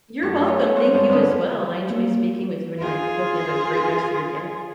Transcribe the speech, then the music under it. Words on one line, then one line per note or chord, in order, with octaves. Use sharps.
You're welcome, thank you as well, I enjoyed speaking with you, and I hope you have a great rest of your day.
F#2 A3 C#6
F4 C#5
G3 F#4 C5 C#5
G2 F3 G#3
F2 D3 B4 D#5
A#3
F4 G#4